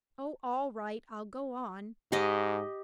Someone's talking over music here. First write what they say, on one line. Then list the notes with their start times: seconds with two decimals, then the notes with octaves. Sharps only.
Oh, all right; I'll go on.
2.12 G#2 G4 D#5